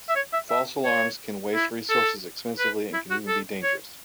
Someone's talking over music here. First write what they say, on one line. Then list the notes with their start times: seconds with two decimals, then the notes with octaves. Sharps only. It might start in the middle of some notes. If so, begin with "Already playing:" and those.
False alarms can waste resources expensively and can even be dangerous.
0.09 E5
0.16 C#5
0.33 E5
0.50 E5
0.85 C#5
1.55 E4
1.89 A4
2.59 B4
2.93 E4
3.11 F#4
3.28 A4
3.63 C#5